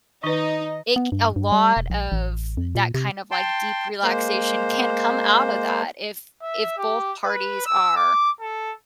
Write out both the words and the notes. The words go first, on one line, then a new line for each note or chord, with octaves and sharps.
it c a lot of that kind of, like, deep relaxation can come out of that if if both parties are
D#3 D#4 B4 D#5
B3
G2
G2
G3
E1
A#1
A1
F2
A#2
C3
G5 A5 C6
G#3 A#3 C5
E5
G4
B4
E6
D6
A4